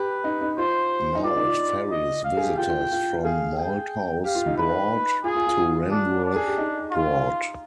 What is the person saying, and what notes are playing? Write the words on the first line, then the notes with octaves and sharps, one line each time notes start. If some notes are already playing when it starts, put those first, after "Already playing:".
Now it ferries visitors from Malthouse Broad to Ranworth Broad.
Already playing: G4 B4
D#4
D#4
F4 C5
D#4
F4 D5
D#4
F4
D#5
F5
G#4
G4
F4 G5
F4
F4
F4
G#4 F5
G5
G4 F5
F4
D#4
B4
F4 G#4
F4
F4
D4
D4
G#4
G4
D#4
F4